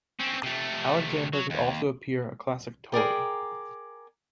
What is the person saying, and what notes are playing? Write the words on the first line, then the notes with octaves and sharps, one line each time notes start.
Alexander could also appear a classic Tory.
C4 C#4
C3 A3
F#3
D#2
G#4 A#4 D5 G5